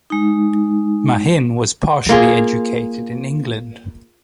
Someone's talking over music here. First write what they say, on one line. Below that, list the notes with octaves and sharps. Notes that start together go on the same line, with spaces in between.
Mahin was partially educated in England.
G#3 D#4
A#3 F4 G#4